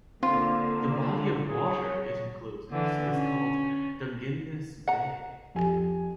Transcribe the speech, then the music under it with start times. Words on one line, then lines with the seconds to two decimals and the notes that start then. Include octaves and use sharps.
The body of water it encloses is called Dungeness Bay.
0.23 D3 A#3 C4 F4
1.43 F#3 G#4 C#5
2.70 D3 E3
3.10 C#4
4.88 F#5 A#5
5.55 F2 G4 G#5